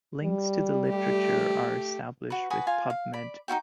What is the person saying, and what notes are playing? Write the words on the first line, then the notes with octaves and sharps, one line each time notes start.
Links to the literature are established with PubMed.
G3
A3 G4
F#4 B4
F#4 B4 G#5 D#6
F4 F5 G#5
F5
D5 B5
D#4 E4 F#4 G5